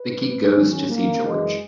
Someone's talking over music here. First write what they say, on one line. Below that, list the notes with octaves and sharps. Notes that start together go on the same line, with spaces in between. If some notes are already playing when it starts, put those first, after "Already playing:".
Vicky goes to see George.
Already playing: B4
E2 D#3 F#3 C#4
A#3
F#1 F#2 E3 G#3